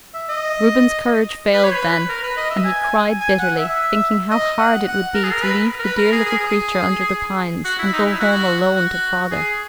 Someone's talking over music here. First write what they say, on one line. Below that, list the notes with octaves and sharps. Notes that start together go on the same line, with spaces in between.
Reuben's courage failed then, and he cried bitterly, thinking how hard it would be to leave the dear little creature under the pines and go home alone to father.
E5
D#5
B4
C#5
B4
A#4
B4
D#5
E5
G#5
G#5
F#5
E5
D#5
F#5
F#5
A#4
G#4
A#4
B4
A#4
B4
A#4
G#4
G#4
G#4
F#4
E4
D#4
E4
F#4
F#4
G#4